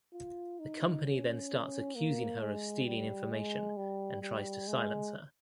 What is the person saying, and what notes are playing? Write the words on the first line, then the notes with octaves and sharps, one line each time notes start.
The company then starts accusing her of stealing information and tries to silence her.
F4
D#4
C#4
A#3
G#3
G3
G#3
G3
G3
G#3